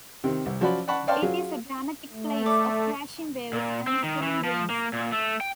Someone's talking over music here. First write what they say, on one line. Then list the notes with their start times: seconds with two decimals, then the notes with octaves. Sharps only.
It is a dramatic place of crashing waves and strong winds.
0.24 C3 D#3 C4
0.46 C2
0.61 F3 F#3 F#4 D5 B5
0.87 D5 F#5 A5 B5 C#6
1.07 C#5 D5 F5 G5 A5 C6
1.22 F#3 F4 G#4
2.12 A3
2.46 C#5 D5
3.53 A#2
3.87 C4
4.03 D#3
4.22 E3
4.44 F3
4.70 A#3
4.93 A#2
5.12 A3
5.41 G5